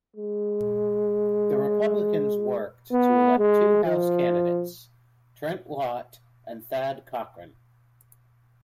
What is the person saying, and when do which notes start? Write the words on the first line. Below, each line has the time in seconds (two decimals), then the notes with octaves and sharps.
The Republicans worked to elect two House candidates, Trent Lott and Thad Cochran.
0.17 G#3
2.92 B3
3.38 G#3
3.84 F3